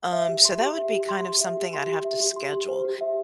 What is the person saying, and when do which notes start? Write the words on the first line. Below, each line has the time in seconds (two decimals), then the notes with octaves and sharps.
um, so that would be kind of something I'd have to schedule,
0.13 E5
0.29 G4
0.45 C6
0.61 G4
0.77 E5
0.93 G4
1.09 C6
1.25 G4
1.41 E5
1.57 G4
1.73 C6
1.88 G4
2.05 E5
2.20 G4
2.36 C6
2.53 G4
2.68 C5
2.85 G4
3.01 E5